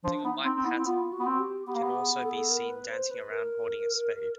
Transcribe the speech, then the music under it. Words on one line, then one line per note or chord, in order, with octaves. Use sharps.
Singer Mike Patton can also be seen dancing around holding a spade.
F3 D4
B3 D#4
C4 D#4
C4
B3 E4
C4
B3 F4
F#4
B3
C4
G4
B3 G4
A#3
B3
G#4
A4
G#4
A4
A#4
B4
C5
B4
A#4